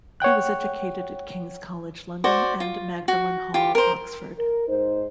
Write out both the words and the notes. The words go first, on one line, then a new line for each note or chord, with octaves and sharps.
He was educated at King's College London and Magdalen Hall, Oxford.
C#5 F#5 G5 F#6
F#4 C5 D5
F4
F#4
F4 G4
A#4 C5
A#4
G#2 D#4 C5